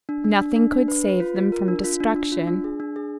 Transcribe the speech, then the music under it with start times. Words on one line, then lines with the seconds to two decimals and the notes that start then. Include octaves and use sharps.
Nothing could save them from destruction.
0.09 D4
0.25 D4
0.41 D4
0.56 D4
0.73 D4
0.88 B4
1.04 B4
1.20 F4
1.36 F4
1.52 A#4
1.68 D4
1.84 F4
2.00 D4
2.16 D4
2.32 F4
2.47 D4
2.64 G#4
2.80 D4
2.96 G#4